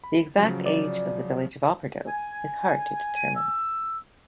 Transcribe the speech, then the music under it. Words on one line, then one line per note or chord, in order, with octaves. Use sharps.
The exact age of the village of Opperdoes is hard to determine.
B5
C#3 F3 F#3
D5
G#5
D#7
E6